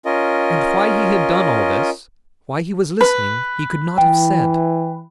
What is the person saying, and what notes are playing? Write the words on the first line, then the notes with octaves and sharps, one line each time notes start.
And why he had done all this, why he was listening, he could not have said.
C#4 F4 A#4 D#5
B4
E3 G5